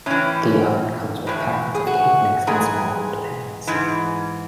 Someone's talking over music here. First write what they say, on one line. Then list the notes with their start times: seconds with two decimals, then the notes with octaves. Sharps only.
The oven comes with packets of cake mix and small round pans.
0.06 A2 E3 C#4
1.27 A2 E3
1.74 G#4
1.87 F#4
2.47 G#2 E3 G#4
3.67 G#2 E3